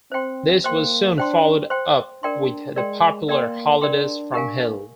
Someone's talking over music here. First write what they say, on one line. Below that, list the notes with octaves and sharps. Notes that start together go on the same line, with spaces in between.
This was soon followed up with the popular "Holidays from Hell".
C4 C5 G5 C6
A#3 C5 G5 C6
D4 C5 G5 C6
C5 G5 C6
D4 A#4 D5 G5 C6
G#3 A#4 D5 G5 C6
A#3 A#4 D5 G5 C6
D4 A#4 D5 G5 C6
G4 A#4 F5 G#5